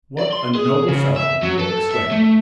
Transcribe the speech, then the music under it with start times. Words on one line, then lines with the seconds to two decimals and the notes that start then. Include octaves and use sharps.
"What a noble fellow!" you will exclaim.
0.19 D5
0.33 C6
0.55 G#4
0.88 C#3
1.16 E5
1.43 F#3
1.59 A4
1.91 E5
2.12 A3